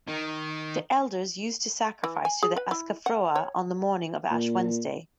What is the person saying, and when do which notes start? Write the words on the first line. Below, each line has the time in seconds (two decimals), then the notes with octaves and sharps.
The elders used to sacrifice to the Askafroa on the morning of Ash Wednesday.
0.08 D#3
2.04 E3
2.25 G#5
2.43 G#4
2.57 B4
2.71 E4
3.06 F#5
3.36 C#5
4.31 A#2